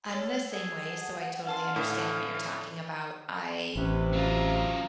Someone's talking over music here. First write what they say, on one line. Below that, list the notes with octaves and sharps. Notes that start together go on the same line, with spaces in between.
I'm the same way, so I totally understand what you're talking about, I
A4 C#5
G#4 F#5
C#4 F5 A5 C6
A2 D3
A1 C3 C#4 B4
F#3 C#4 F4 A#5